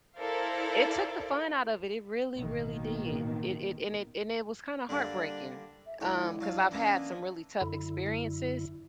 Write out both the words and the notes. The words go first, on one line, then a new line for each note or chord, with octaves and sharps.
it took the fun out of it, it really, really did. It it and it and it was kinda heartbreaking, um, 'cause I've had some really tough experiences
E4 A4 A#4 C5 D5 F5
A1 B2 D#3 A#3
D3 G3 A#3 D4
E5
C#2 D3 E4 C#5
F#3 D4 F4
E3 A#3 B3 C#4
F#2 D3 E4